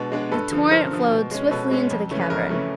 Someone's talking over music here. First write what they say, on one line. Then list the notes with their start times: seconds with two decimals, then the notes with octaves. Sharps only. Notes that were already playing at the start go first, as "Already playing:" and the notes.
The torrent flowed swiftly into the cavern.
Already playing: B2 G#3 B3 D4 A4
0.12 G#3 B3 D4
0.31 G2 A4 B4
0.51 D3 F3
0.71 G2 A#4 C5
0.91 D3 F3
1.11 B2
1.31 G#3 C#4
1.51 B2 A4 B4
1.71 G#3 C#4
1.90 F2
2.10 C#3 E3 A3 C#4
2.21 B4
2.30 F2 A#4
2.50 C#3 E3 A3 C#4